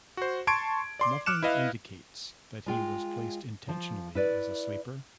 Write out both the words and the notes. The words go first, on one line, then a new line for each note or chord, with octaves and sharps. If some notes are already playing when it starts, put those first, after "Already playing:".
Nothing indicates that he was placed intentionally as a sleeper.
F#4 C5
A5 C6 C#6 G#6 D7
D5 C6 D6
D6 F6 F#6 C#7 E7
E4 B4 D#5 F5
G#3 F4 G5
F3
E4 B4 D5